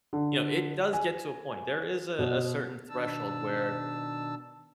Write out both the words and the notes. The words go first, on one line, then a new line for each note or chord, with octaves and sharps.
you know, it does get to a point, there is a certain threshold where
D3
G#5
B2
B2 D#3 D4 A5 E6